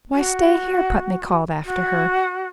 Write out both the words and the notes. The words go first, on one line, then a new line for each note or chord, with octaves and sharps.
"Why, stay here!" Putney called after her.
F#4
F#4